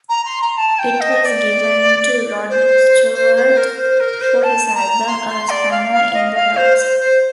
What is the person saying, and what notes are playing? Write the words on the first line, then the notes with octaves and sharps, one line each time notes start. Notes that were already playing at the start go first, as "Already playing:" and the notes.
It was given to Rod Stewart for his album, "A Spanner in the Works".
A#5
C6
A#5
A5
G5
D#5
D#5
D5
C5
C5
C5
A#4
C5
A#4
C5
A5
A#5
C6
C6
D5
F5
F5
D#5
F5
C5
C5
C5